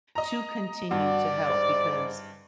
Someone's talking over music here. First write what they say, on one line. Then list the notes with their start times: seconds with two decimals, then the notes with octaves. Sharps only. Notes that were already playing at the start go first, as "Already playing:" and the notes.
to continue to help because
0.15 D#5 A#5
0.91 G2 F#4 D5
1.49 G#2